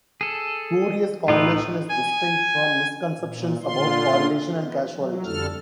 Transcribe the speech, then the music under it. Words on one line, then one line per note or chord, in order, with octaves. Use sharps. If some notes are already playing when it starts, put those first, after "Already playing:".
Spurious correlation is distinct from misconceptions about correlation and causality.
G#4 A4
A2 D#4 F4 G4 B4
G#5
A#2
A#2 D3 F4 C6
B3
F#3
F2 D3 G3 A4 F6